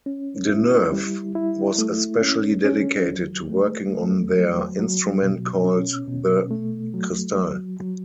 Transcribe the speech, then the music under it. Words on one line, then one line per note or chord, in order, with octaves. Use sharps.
Deneuve was especially dedicated to working on their instrument called the "Cristal".
C#4
E4
G3
E4
A3
C#4
C#4
F#3
A3
A3
F#3
F#3
B2
C#4
B2
A3
F#3
F#3
F#3